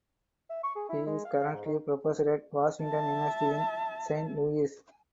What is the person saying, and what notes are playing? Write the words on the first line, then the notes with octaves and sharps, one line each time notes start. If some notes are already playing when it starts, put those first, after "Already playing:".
He is currently Professor at Washington University in Saint Louis.
E5
C#6
G#4
E4
G#3
F5
F5
G#2
D#3
E5 A5